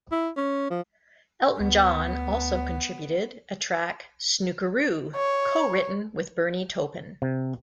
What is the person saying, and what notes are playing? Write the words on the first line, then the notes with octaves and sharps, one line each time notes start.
Elton John also contributed a track, "Snookeroo", co-written with Bernie Taupin.
E4
C#4
F3
D2 B3
C#5
C3